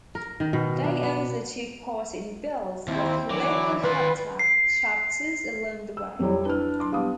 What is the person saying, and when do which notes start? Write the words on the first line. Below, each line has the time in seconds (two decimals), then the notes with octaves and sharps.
They also took part in builds with local Habitat chapters along the way.
0.15 A#4
0.40 D#3
0.53 B2
0.84 D4
1.03 B3
2.88 D#2 C4 E4
3.30 D3 E3 F#3 D6
3.83 D#3 F4 B4 B5
4.39 C7
5.97 E6
6.19 F2 F#3 G3 E4
6.45 D4 E4 B4 F6
6.80 F#3 C6 D6
6.92 G3 B3 F5 A5 D#6